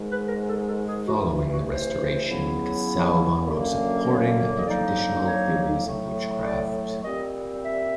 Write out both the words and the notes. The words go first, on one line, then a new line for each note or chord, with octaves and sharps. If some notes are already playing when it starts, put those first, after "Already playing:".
Following the Restoration, Casaubon wrote supporting the traditional theories of witchcraft.
Already playing: G#2 D#3 G#3
B4
A#4
A4
A4
G#4
G2 E3 A3 F#4
F4
F4
F#4
C5
C#2 C#3 F#3 B3 E4
F#2 D3 F#3 A#3 C#4
C#5
C#5
D#5
F2 D3 F#3 A#3 D#4 D5
C#5
A2 F#3 A3
D5
A#2 G3 C4 D#5
E5